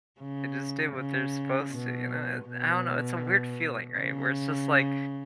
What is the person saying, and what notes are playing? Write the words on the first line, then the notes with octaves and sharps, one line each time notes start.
they just did what they're supposed to, you know? Eh, I don't know, it's a weird feeling, right? Where it's just, like,
C#3
C#3
B2
B2
C#3